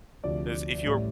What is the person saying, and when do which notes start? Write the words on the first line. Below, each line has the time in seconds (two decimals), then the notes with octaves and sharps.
As if you're
0.24 D2 C3 F3 D5
0.85 A1 A2 G3